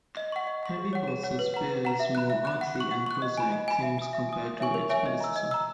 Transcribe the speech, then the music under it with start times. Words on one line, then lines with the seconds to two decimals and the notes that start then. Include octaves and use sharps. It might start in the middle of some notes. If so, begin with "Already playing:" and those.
"Heavy Horses" bares more earthly and prosaic themes compared to its predecessor.
0.17 D#5
0.32 F#5 C#6
0.47 D#5
0.63 F#5 C#6
0.78 G#4
0.93 C#5 F#5
1.08 G#4
1.23 C#5 F#5
1.39 B4
1.54 F#5 A#5
1.69 B4
1.85 F#5 A#5
1.99 E5
2.15 B5 F#6
2.30 E5
2.45 B5 F#6
2.61 F#5
2.76 C#6 F#6
2.91 F#5
3.06 C#6 F#6
3.22 D#5
3.37 G#5 B5
3.52 D#5
3.68 G#5 B5
3.83 E5
3.98 G#5 D#6
4.13 E5
4.29 G#5 D#6
4.45 A#4
4.60 C#5 E5 G#5 C#6
4.74 A#4
4.89 C#5 E5 G#5 C#6
5.06 D#5
5.20 A#5 E6
5.36 D#5
5.51 A#5 E6